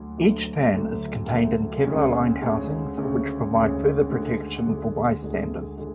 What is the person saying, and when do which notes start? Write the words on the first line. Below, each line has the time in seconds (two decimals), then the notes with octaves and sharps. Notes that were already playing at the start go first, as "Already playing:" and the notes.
Each fan is contained in Kevlar-lined housings which provide further protection for bystanders.
Already playing: D2 D3 F#3 A3
0.18 D2 D3 F#3 A3
0.74 D2 D3 F#3 A3
1.29 D2 D3 F#3 A3
1.85 D2 C#3 G#3 C#4
2.41 D2 C#3 G#3 C#4
2.97 D2 C#3 G#3 C#4
3.54 D2 C#3 G#3 C#4
4.10 D2 D3 G#3
4.65 D2 D3 G#3
5.22 D2 D3 G#3
5.78 D3 G#3